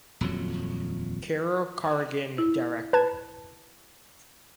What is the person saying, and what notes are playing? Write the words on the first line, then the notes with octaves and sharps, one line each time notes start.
Carol Carrigan, Director.
D#1 F2 F#3
E4
B4 A5 G#6